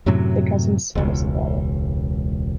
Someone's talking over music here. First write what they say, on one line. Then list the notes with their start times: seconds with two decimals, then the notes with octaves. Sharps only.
The cousins told us about it.
0.06 F#2 A2 C3 F#3
0.95 E1 C#2